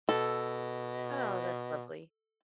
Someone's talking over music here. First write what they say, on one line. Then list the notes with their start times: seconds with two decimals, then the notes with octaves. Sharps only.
Oh, that's lovely.
0.09 B2 A4